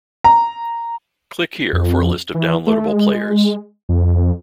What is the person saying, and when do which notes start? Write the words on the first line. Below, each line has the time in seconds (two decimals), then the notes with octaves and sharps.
Click here for a list of downloadable players.
0.24 A#5
1.73 F2
2.34 E3
2.67 A3
2.88 G#3
3.89 F2